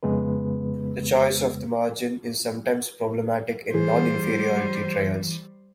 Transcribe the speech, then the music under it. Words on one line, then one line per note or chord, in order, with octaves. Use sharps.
The choice of the margin is sometimes problematic in non-inferiority trials.
F2 C#3 G#3 B3 B4
E3 G3 G#4 C5